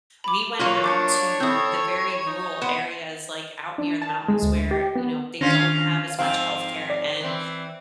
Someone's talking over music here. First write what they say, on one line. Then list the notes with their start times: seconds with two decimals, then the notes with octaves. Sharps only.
we went out to the very rural areas, like, out near the mountains where, you know, they don't have as much healthcare, and
0.24 B5 D6
0.59 F#3 A#3 F4 C#5
0.84 D4 D6 G6 C#7
1.40 C4 E4 A4 D#6 G6
2.27 D#4
2.62 B3 C6 E7
3.78 D4
4.02 A5
4.28 G#3
4.42 D2
4.71 G4
4.96 B3
5.41 D#3 C#4 D4 F4 C5 A#6
6.19 G#2 F3 C4 F5
6.90 D5
7.21 E3 C4